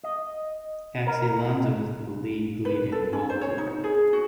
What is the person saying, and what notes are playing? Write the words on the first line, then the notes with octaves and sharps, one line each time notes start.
Caccialanza was the league leading goalkeeper.
D#5
A#4
B4
A4
C#4
C5
C#5
D#4
G#4
F#4